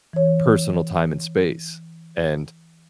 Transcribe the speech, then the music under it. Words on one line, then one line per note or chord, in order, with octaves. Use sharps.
personal time and space, and
E3 C#5